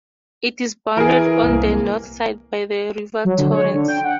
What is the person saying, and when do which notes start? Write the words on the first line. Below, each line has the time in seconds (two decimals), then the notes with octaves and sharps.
It is bounded on the north side by the River Torrens.
0.97 E3 G#4 A#4
1.41 C2 A#3
3.25 F#3
3.38 D3
3.52 C#5
3.73 D3
3.88 G5
4.04 F#5